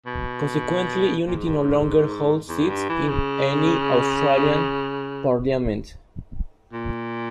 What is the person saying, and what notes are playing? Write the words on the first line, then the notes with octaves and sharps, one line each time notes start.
Consequently, Unity no longer holds seats in any Australian parliament.
B2
A#2
G#2
G2
G#2
E2
G2
E3
C#3
A#2